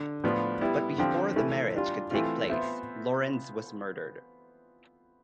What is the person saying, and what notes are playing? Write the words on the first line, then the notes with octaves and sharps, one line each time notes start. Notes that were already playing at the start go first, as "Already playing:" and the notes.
But before the marriage could take place, Lorenz was murdered.
Already playing: D3
A2 F3 B3 D4 F4
G3 B3 E4
D3 F3 C4 G4
E3 A3 E4
G3 D4 F4
E3 A3 C4 F4
B3 F4 C5 E5